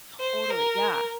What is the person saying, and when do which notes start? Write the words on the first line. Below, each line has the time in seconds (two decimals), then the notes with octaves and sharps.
Totally yeah.
0.20 C5
0.50 A#4